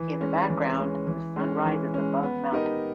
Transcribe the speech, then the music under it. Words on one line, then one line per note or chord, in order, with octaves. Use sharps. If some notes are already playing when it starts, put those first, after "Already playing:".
In the background, the sun rises above mountains.
Already playing: E3
G#3 C#4
E3
G#3 C#4
E3
G#3 C#4
E3
G#3 C#4
B3
D#4 G4 A#4 D#5